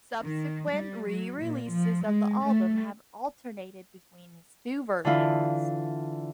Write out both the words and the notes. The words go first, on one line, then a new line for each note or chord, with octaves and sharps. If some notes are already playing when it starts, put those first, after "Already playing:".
Subsequent re-releases of the album have alternated between these two versions.
D#3
G3
F#3
A#2
F3
G#3
A3
D3 E3 E4 F4